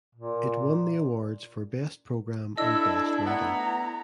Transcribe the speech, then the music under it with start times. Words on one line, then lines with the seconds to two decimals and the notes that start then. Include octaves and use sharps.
It won the awards for Best Program and Best Writing.
0.15 A#2
2.57 D4 E4 A4 D#5 E6
3.25 A3 B3 A#5